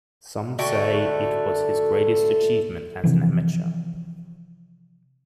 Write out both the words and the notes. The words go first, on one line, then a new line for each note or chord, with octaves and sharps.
Some say it was his greatest achievement as an amatuer.
D3 A3 F#4 G5
C3 E3 F3